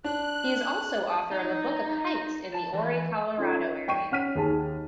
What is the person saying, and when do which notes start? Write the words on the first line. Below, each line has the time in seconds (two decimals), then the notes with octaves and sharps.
He is also author of a book of hikes in the Ouray, Colorado area.
0.04 D4 F#6
1.31 D#4
2.55 A5
2.74 E3
3.38 C#4 F4 A4
3.88 G5 C#6 C7 D#7
4.11 C#4 F#5 F6 B6 D#7
4.35 D#2 G#4 A5